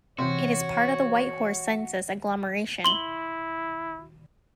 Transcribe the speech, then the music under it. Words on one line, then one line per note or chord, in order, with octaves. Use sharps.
It is part of the Whitehorse Census Agglomeration.
C3 E3 F#4 C#5 C6
E4 C6 F#7 G7